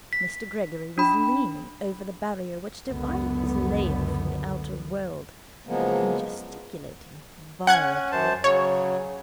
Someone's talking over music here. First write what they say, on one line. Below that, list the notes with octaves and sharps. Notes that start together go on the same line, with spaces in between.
Mr Gregory was leaning over the barrier which divided his lair from the outer world, and gesticulating violently.
B6
D4 B5
C#2 F#2 D3 B3
C#3 F3 F#3 G#3 A#3 B3
C#4 F#5 F#6 G#6
F#2 C5 A5
C#3 F#3 C#5